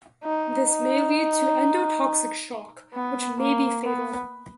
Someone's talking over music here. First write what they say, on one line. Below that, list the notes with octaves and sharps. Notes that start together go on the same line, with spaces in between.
This may lead to endotoxic shock, which may be fatal.
D#4
D#4
B3
A#3
B3